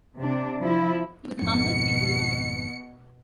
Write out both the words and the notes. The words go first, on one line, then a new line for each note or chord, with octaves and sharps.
He was a humble individual.
C3 D4
F3 E4
G#1 F2 G#2 B2 C#7